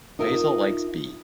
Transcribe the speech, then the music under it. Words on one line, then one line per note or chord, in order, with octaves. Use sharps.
Basil likes Bee.
D#4 F4 A#4 E5